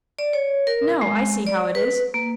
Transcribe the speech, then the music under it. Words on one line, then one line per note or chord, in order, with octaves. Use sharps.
No; I see how it is.
D5
C#5
A#4
G#3
D5
B4
A#3